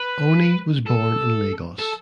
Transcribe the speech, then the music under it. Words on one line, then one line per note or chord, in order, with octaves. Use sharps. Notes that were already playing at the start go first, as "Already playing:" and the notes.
Oni was born in Lagos.
Already playing: B4
A4
A4